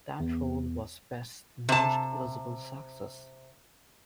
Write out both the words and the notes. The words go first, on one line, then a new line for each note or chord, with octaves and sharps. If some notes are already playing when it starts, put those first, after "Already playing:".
That role was Best's most visible success.
E2
C3 A5